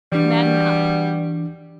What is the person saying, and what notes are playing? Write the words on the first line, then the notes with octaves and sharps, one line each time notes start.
Madden up.
B2 E3 G3 D4